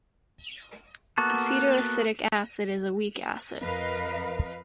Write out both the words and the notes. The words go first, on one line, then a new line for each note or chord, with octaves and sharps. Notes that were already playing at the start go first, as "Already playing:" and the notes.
Acetoacetic acid is a weak acid.
A#3 B3 F#4 A4
F2 A#4 B4 D#5 F5